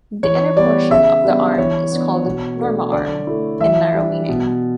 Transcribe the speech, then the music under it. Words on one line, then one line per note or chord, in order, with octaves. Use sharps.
The inner portion of the Arm is called "Norma Arm" in narrow meaning.
E3 C#5
G3 B3 D5
C#3 E5
G3 B3 D4
E3 C#5
B3 D4
B2
A3 D4
D3 D5
A3 E4
E3 E5
G3 D4
B2